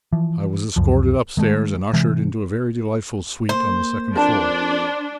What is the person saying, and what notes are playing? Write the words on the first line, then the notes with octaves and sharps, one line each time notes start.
I was escorted upstairs and ushered into a very delightful suite on the second floor.
E3 F3
C#2 F#2 F3
D#3 G#3 A3
C3 E3 G#3
A#3 C5
F2 D4 A#4 A5